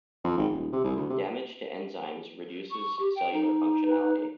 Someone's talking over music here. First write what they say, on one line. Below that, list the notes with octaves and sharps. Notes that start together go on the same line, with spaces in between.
Damage to enzymes reduces cellular functionality.
F2
G#1
D#1
C3
C2
D2
C3
C#6
G4
G5
D#4
B4